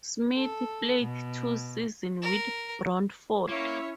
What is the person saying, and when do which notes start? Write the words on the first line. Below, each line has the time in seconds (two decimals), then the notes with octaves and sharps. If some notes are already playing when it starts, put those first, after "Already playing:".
Smith played two seasons with Brantford.
0.36 A4
1.00 B2
2.22 A#4
3.49 A#3 C#4 E4 C#5 E5